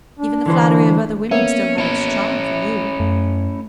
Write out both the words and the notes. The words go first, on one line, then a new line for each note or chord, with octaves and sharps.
Even the flattery of other women still had its charm for you.
D4
D3 E3 C5
A#3 B3 C#4 E5
C#4 E4
F#2 A3